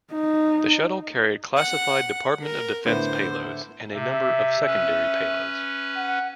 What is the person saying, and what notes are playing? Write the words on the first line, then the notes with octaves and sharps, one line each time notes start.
The shuttle carried classified Department of Defense payloads and a number of secondary payloads.
D#4
F#5
A#4
A2 D3 B3 C5
C3 E5
C#4 B4
F#5